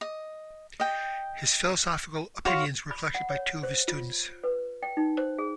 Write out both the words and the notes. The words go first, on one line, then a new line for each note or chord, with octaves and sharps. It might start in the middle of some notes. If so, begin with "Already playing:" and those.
His philosophical opinions were collected by two of his students.
D#5
D#5 G5
F#4 C#5 F5 C6
B5
F#5
C#5
C5
F4
B4
G5
D#4
C5
G#4